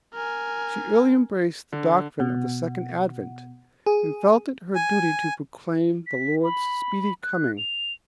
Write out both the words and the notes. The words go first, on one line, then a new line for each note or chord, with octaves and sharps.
She early embraced the doctrine of the Second Advent, and felt it her duty to proclaim the Lord's speedy coming.
A#4 G#5
D3
B2
G#4
G#5
B6
B5
F#6
F7